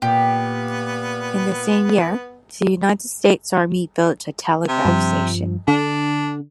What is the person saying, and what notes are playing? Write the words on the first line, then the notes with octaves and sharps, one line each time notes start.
In the same year, the United States Army built a telegraph station.
A#2 B3 G4
C3
G2 F3
D3 D4